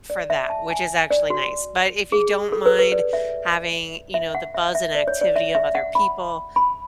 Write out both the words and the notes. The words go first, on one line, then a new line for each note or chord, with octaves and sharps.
for that, which is actually nice; but if you don't mind having, you know, the buzz and activity of other people,
D5
E5
A5
G#5
D5
F#4
G#4
A4
B4
B4
D5
E5
E5
F#5
E5
E5
D5
C#5
D5
E5
E5
F#5
B5
B5